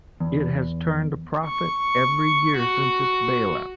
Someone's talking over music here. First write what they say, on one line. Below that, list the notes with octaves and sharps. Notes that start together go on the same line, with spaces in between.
It has turned a profit every year since its bailout.
E2
C#6
F#4